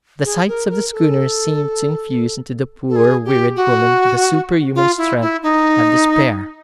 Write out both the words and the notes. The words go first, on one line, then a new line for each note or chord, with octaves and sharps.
The sight of the schooner seemed to infuse into the poor, wearied woman the superhuman strength of despair.
G#4
A#4
A#4
A4
A4
G#4
G4
F#4
F4
E4
E4
D#4